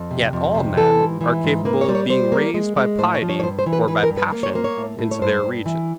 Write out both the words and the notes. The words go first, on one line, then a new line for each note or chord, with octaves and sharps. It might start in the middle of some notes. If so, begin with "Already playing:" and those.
Yet all men are capable of being raised by piety or by passion, into their region.
Already playing: F2
C3
F2
C3
E3 A4
G#2
E3
G#2
A#3 B4
C#5
G3
C#5
G3 C5
A#3
G#3
G#3
A2 C5
C#5
F3
C#5
C#5
G2 C5
C5
E3
B4
E3 B4
A#4
G2
B4
A#3
C#5
A#3 C5
C#5
A2
A2
C#5
G2 C5
G2
E3